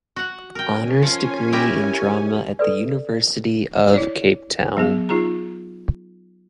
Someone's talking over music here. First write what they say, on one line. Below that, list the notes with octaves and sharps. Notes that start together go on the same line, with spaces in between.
Honours degree in Drama at the University of Cape Town.
F#4 F#5
C#4 A#4 G5 G#5
F3 F4
E4 G4 A#4
A4 B4 D5
E4 C#5 D5
F#3 B3 G#4 F5
D#4 F4 G#4 A#5